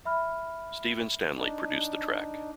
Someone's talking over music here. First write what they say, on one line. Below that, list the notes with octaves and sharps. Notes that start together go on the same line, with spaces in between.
Steven Stanley produced the track.
E5 B5 F6
D4 D#4